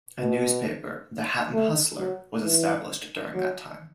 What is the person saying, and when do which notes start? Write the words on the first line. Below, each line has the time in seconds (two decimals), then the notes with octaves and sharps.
A newspaper, "The Hatton Hustler" was established during that time.
0.19 B2
1.53 A3
1.98 F#3
2.43 E3
3.34 F#3